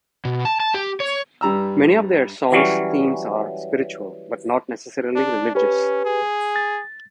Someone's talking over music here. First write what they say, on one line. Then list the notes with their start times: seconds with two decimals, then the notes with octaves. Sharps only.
Many of their songs' themes are spiritual, but not necessarily religious.
0.25 B2
0.45 A5
0.60 A5
0.74 G4
1.00 C#5
1.41 G2 G3 A#5 E6
2.52 E3 F#3 G3 C#4
5.16 D4
5.55 C#4 G4 B4
6.05 G#4
6.56 A6